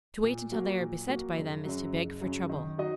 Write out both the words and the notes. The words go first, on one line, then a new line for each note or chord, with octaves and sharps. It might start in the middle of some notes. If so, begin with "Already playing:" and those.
To wait until they are beset by them is to beg for trouble.
A#2
F#3 A#3 F#4
A#2
F#3 A#3 F#4
F#1
F#2 C#3 F#3
F#1
F#2 C#3 F#3
D#3
F#3 D#4 F#4 D#5